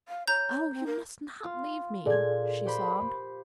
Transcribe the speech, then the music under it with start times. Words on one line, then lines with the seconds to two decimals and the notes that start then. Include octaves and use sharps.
'Oh! you must not leave me!' she sobbed.
0.08 F5
0.27 C#5 A#5 G6
0.73 C4
0.86 A#4
1.44 F4
2.06 A#2 G#4 A4 D5 G#6
2.65 G4 C5 B5